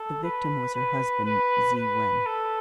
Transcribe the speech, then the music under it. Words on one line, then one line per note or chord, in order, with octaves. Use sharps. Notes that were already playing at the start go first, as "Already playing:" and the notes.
The victim was her husband Zi Wen.
Already playing: A4
B4
B4
B4
B4
A4